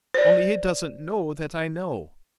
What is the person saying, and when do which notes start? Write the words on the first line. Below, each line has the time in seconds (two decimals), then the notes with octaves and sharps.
Only he doesn't know that I know.
0.14 C5 D5